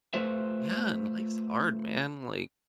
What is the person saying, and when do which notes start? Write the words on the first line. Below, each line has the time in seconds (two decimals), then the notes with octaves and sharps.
Yeah, and life's hard, man, like,
0.14 A3 F4 B4 C5 E5